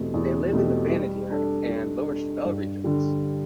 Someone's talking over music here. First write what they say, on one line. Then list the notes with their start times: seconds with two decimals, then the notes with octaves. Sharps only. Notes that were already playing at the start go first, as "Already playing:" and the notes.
They live in the Banadir and Lower Shabelle regions.
Already playing: E2 B2 A3 C4 G4
0.14 E2
0.53 B2 A3 C4 G4
0.91 G3
1.29 D4 A4
1.68 G3
2.06 D4 A4
2.45 G2
2.84 D3 G3